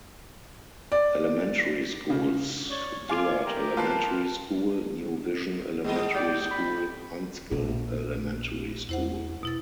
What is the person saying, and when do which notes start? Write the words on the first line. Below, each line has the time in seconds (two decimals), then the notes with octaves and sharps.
Elementary Schools: Dillard Elementary School, New Vision Elementary School, Huntsville Elementary School.
0.92 D5
2.10 C#3
2.70 C#5 D5
3.09 F4 F5 G#5 D6 D7
3.46 G4 A#4
3.77 F4 B4 A5 C7
5.84 G#2 G#3 D#5
6.15 G4 D5 G5
6.51 B5
7.51 A#1 B2
8.89 E2 E4 C5 F#5
9.43 B2 E4 A6